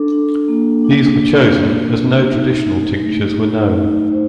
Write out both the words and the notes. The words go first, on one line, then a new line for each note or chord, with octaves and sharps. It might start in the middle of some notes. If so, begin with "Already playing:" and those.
These were chosen as no traditional tinctures were known.
Already playing: D4 A4
D4
A#3
D4
D4
D4
D4
D#4
A3
A3
A3
D#4
C5